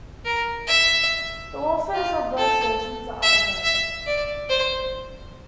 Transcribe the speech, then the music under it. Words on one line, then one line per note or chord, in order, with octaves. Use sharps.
The authors of both versions are unknown.
A#4
E5
F4
A4
E5
E5
D5
C5